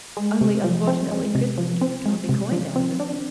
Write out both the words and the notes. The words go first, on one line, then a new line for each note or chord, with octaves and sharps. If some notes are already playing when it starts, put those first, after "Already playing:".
"Only, unfortunately, Christmas gifts can't be coined out of them."
G#3
C3
F3
C4
G#3
C3
F3
C4
G#3
C3
F3
C4
D4